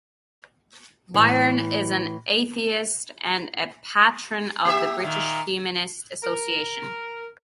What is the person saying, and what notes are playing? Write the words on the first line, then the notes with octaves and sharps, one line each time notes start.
Byrne is an atheist and a Patron of the British Humanist Association.
A2 E3
A#3 G4 E5
A#2 D#3
A#4